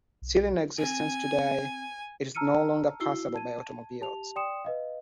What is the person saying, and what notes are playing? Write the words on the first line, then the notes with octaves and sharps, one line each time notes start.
Still in existence today, it is no longer passable by automobiles.
B1
C4 G#5
A5 A#5 E6 F6 C#7 D#7
D#4 E4 F#4 E6 C7 G7
A5 G#6 D#7
G4 A5 F7
D5 G5 C6 D#6 C#7 E7
B4 D#5 F5